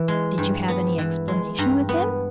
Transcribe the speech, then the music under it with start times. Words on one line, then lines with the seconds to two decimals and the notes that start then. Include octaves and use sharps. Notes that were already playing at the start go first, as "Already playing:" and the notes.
'Did you have any explanation with him?
Already playing: E3
0.08 G#3
0.38 G2
0.68 B3
0.98 E3
1.28 G#3
1.59 G2 A#5
1.89 B3